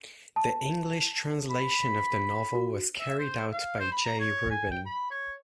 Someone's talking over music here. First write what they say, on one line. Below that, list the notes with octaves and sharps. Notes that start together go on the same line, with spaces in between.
The English translation of the novel was carried out by Jay Rubin.
A5
B5
F#4
E5
C5
F5
C5
B5
A#5
C#5
G#5
G5
B5
C#5